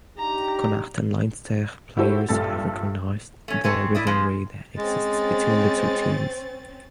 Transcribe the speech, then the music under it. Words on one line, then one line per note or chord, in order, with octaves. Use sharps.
Connacht and Leinster players have recognized the rivalry that exists between the two teams.
D4 D#4 G4 A#5
E4 F#4 G4 A4 C5
A#1 G2 A4 A6
A3 C#4
G#3 A3 C4 A4
E4 D5 D#5
F3 G#3 C4
G#3 C4 C#4 A6